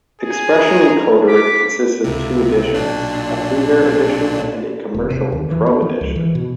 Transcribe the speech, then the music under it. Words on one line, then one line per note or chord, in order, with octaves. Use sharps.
Expression Encoder consists of two editions: A freeware edition and a commercial Pro edition.
G#4
A#5
D6 B6
C#2 C3
B1 A#2 D4
E1
C3
D#2
E3
B3
F3
C#2
E3
B2